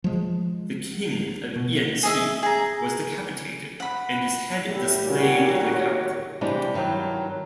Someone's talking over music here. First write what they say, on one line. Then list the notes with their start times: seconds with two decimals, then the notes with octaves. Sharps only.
The king of Yanqi was decapitated and his head displayed in the capital.
0.04 F3 G#3
1.56 B2
2.03 G#4 D#5 E5
2.43 G#4 A#5
3.80 F#5 B5
4.65 A2 G3 E4
5.04 A#2 D#3 F#4 G4 C#5
6.41 C3 E3 G3 G#3 B3 D4
6.74 G2 D#3 E3 F#3